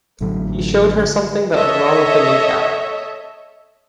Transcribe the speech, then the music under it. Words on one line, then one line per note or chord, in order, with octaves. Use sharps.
He showed her something that was wrong with a knee-cap.
A1 A2 D3 F#3
A4 C#5 D#5 E5